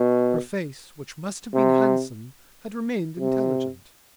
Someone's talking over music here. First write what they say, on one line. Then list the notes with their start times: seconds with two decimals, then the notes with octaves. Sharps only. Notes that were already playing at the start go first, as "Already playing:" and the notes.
Her face, which must have been handsome, had remained intelligent.
Already playing: B2
1.54 C3
3.20 C3